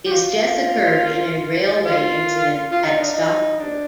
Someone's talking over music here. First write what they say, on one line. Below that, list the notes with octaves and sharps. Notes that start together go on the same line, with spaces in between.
His death occurred in a railway incident at Stockport.
G4
F4
F4
F4
D#4
D4
D#4
D4